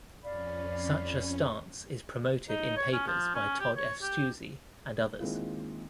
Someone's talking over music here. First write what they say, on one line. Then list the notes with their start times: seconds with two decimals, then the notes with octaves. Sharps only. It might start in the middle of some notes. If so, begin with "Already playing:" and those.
Such a stance is promoted in papers by Tod F. Stuessy and others.
0.23 F2 C#4 D5 F5 B5
2.49 D#4
2.77 C#5
2.93 C#4
3.07 F3
3.35 C#4
3.60 G4
3.76 C#5
4.02 G4
5.20 D#3 G#3 A#3 C4 E4 F4